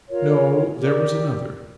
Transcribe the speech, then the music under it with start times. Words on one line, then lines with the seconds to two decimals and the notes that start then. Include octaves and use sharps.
'No there was another.
0.07 F4 A#4 C#5
0.79 G4 A#4 D5